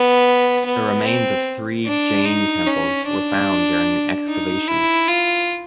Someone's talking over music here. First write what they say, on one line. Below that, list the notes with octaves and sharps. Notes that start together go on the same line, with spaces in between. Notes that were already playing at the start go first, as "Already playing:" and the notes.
The remains of three Jain temples were found during the excavations.
Already playing: B3
B3
C4
D4
D#4
C#4
D4
D#4
E4
F4